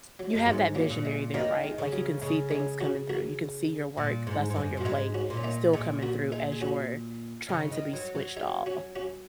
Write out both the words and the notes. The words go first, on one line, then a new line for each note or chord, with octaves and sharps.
T You have that visionary there, right, like you can see things coming through, you can see your work that's on your plate still coming through as you're trying to be switched off,
F#3
F#2 G#3
G#2 F#3 A#3
F#3 A#3
A#2
G#3
D#3 F#3 A#3
G#3
C#3
F#3
C#3 G#3
G#3 C#4
C#4 F#4
F#4 A#4
A#2
G#2
G#2
F#2
A#2 F#4
G#2 D#4 G#4
C#4 F#4
A#2
C#4
A#3 D#4
A#2 D#4 G#4
F#4 A#4
D#4 G#4
G#4
C#4 F#4
C#3
D#3
F#3
F#3
D#4 G#4
C#4 F#4
C#4 F#4